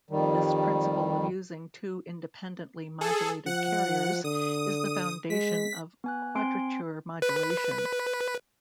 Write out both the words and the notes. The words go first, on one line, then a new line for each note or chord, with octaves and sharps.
This principle of using two independently modulated carriers is the foundation of quadrature modulation.
F2 D#3 G3
G#4 A4
F3 F#5
D3 D#6
G#3 B6
B3 G#5 F#6
C4 G#5 C6 D7
B4